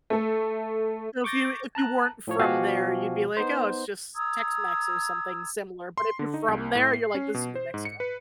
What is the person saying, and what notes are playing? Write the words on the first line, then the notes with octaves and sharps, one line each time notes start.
So if you if you weren't from there, you'd be like, "Oh, it's just Tex-Mex or something similar," but if you're from there, you're like, "This is New Mexico."
A3 A4
C#6 D6 G6 A6 A#6
A5 A#5 F#6
A2 F3 C#5
B2 F3 F#4 G4 F5 G#5
B3 D#4 C5
A#5 D#6 E6 G#6
C6
D3
D#4
C2
A2
C7
C#4
B2
C5
G#2
C#7
B4